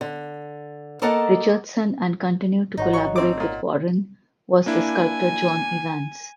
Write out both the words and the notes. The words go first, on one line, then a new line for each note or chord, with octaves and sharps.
Richardson and continued to collaborate with Warren was the sculptor John Evans.
D3
A#3 A4 A#4 D#5 F#5 A5
G#1 D#4 C#5 F#5
F#3 C#6
D2 C4 D6
A#2
A#3 D4 E4 G#5